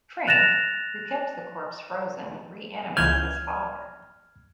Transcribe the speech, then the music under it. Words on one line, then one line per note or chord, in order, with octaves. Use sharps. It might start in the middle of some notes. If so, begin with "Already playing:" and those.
Frink, who kept the corpse frozen, reanimates his father.
F#6 A6 A#6 E7 F7
C#2 E3 F6 G6 G#6